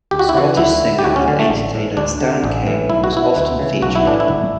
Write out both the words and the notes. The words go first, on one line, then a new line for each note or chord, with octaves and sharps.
Scottish singer and entertainer Stan Kane was often featured.
D2 G4
F#4
E4
C#3 E3 F#4
D2 E4
D3
G4
D2 F#4
C#4
D3
A3
A1
A2 E3
D2 D4
D3
A1
A2 E3
B1 E4
F#4
B2 E4
D2
C#3 E3
B1 F#4
E4
A2 E3 D4
E4
G1